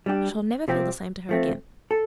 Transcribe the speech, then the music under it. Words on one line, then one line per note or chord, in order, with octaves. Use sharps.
I shall never feel the same to her again.
G3 D4 G4
C3 F3 C4 G4
F3 A3 C4
A4